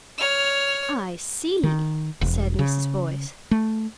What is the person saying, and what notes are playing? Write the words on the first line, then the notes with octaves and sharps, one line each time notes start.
"I see!" said Mrs. Boyce.
C#5 F6
D#3
E1
C#3
A3